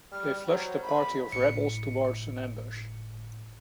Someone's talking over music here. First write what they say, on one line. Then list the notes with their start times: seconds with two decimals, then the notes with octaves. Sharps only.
They flushed a party of rebels towards an ambush.
0.12 G3 F6
0.47 F#3 C5
0.82 G#1 B5
1.32 G1 A2 C#7